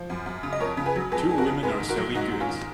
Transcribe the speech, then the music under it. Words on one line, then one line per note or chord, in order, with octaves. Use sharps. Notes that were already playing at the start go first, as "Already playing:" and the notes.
Two women are selling goods.
Already playing: F3
F#2
F#2
C#3
D#5
F2 A#4 C#5
C#3
G#4 B4
F#3
F2 G#4 B4
F2 G#4
F#4 A#4
C#3
G#2 G#4 B4
D#3
F#4 A#4
F#3
G#2 D#4 F#4
G#2
C#4 F4
D#3